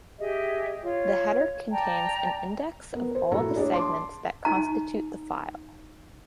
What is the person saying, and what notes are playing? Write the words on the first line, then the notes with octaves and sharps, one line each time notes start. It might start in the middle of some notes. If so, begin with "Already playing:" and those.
The header contains an index of all the segments that constitute the file.
G4 G#4 D#5 E5
F4 C#5
D5 G5 A5 A#5
B3 A#4
C5
A#2 A3 E4 F#4 A4 A#5
D4 G#4 C#5 D5
A5 C6 D6
D#4 A#5